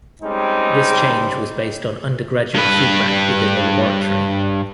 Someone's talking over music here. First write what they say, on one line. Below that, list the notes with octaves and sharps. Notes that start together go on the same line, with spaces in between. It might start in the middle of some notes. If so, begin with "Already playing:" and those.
This change was based on undergraduate feedback within the laboratory.
G3 G#3 C4 C#4 D#4
G2 B4